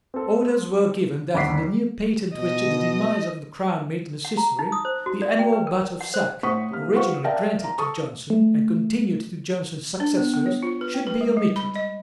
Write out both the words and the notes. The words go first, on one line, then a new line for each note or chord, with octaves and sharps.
Orders were given that, in the new patent which the demise of the crown made necessary, the annual butt of sack, originally granted to Jonson, and continued to Jonson's successors, should be omitted.
C4 A4
G1 D#2 F#5 D6 B6 C7
B2 D#5
F#5
A#5
D#4
D#6
C5
F#4
D5
G5
B4
A#4
F#5
C5
A2 C5 F#5 C#6 D#6 B6
C3 A#3 F6
F4 B4 C5 F#5 C#6
A#4 D5 E5 F5 G5 A5
A#5
A4 A5 C#6 D#6
A3
D4
B3
B3
C#5
F4
B4
G5
B4
G#3
G3
B5
D#5